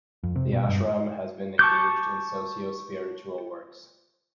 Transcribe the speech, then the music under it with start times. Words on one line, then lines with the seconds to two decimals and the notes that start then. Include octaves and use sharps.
The ashram has been engaged in socio-spiritual works.
0.23 F2
0.36 C3
0.53 B2
0.68 G2
1.59 A5 C#6 D6 G6